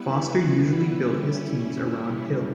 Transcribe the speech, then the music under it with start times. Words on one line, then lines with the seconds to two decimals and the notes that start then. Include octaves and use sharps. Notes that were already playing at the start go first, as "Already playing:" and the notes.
Foster usually built his teams around Hill.
Already playing: G3 B3 E4 B4
0.91 G3 C#4 E4
2.22 G3